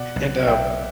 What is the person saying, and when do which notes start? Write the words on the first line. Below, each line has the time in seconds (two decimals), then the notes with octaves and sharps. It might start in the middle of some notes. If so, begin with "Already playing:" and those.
and, um,
Already playing: B2 D5 F#5
0.16 B1
0.47 B1 E5 G5